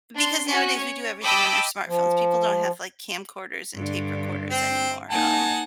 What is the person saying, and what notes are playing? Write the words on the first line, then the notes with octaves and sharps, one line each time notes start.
because nowadays we do everything on our smartphones. People don't have like camcorders and tape recorders anymore. Um.
D4 C6
C#4 F#4
C#5
D#5 G5 A5 B5 D6 E6
F3
G2 D3
C4 G5
A#3 D#4 F#5 G#5 A5